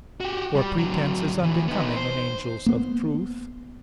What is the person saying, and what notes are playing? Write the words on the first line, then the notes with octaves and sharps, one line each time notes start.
For pretence is unbecoming in angels of truth.
F#4 G4
G3
D3 F#3
D2 E3
B3 D#4
C5
A#3 B3